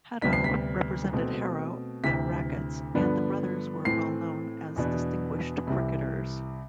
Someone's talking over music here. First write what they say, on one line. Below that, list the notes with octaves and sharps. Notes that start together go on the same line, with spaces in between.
Hadow represented Harrow at rackets and the brothers were well known as distinguished cricketers.
D2 C3 G3 B3 D4 B6
C7
B6
B2 A3 C4
D2 C3 E3 B6
G2 D3 F3 B3 D4
A2 E3 A3 C4 C7
E2 B2 B3 D4
C2 C3 E3